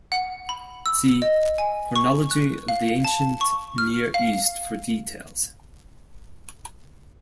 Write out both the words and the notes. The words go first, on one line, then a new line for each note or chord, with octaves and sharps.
See Chronology of the Ancient Near East for details.
F#5
B5
E6
D#5
G#5
C#6
F#6
F5
A5
C#6
F6
F5